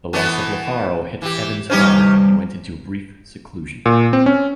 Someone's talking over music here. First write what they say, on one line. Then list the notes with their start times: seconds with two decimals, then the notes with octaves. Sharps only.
The loss of LaFaro hit Evans hard, and he went into a brief seclusion.
0.13 E3 A3 B3
1.22 E3 G4
1.70 G3 C#4 D#4 G4 B4 C5
3.86 A#2
4.13 C4
4.26 C#4